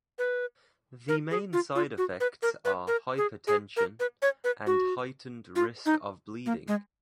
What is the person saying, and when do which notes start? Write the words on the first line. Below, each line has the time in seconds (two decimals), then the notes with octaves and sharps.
The main side effects are hypertension and heightened risk of bleeding.
0.19 B4
1.08 A#4
1.31 G#4
1.53 F4
1.75 F4
1.98 F#4
2.20 B4
2.42 A#4
2.65 B4
2.87 A#4
3.18 G#4
3.47 G#4
3.77 A#4
4.00 B4
4.22 C#5
4.44 B4
4.67 F#4
5.56 F4
5.86 D#4
6.46 A#3
6.68 G#3